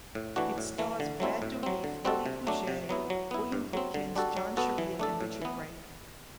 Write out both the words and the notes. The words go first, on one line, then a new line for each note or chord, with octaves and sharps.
It stars Brad Dourif, Ely Pouget, William Hootkins, John Sharian, and Richard Brake.
A2
E3 A3 D4 F#4
A2
E3 A3
D3
F#3 A3 C4 E4
A2
F#3 C4
D3
G3 C4 F#4 A4
C3
F#3 A3 D4
C3
F#3 B3 E4
F#3
B3 E4
G2
F#3 C4
D3
G3 D4 F#4 A4
F#3
B3 F#4 A4
E3
A3 D4 A4
A2
E3 B3